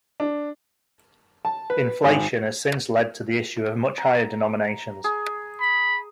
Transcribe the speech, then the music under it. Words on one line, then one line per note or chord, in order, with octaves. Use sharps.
Inflation has since led to the issue of much higher denominations.
D4
A5
B4
G#1
A#5
G#4
B5